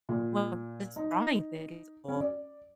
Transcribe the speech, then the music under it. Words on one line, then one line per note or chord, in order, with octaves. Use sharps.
Well, just drawing things o
A#2
D#4
C#4
D5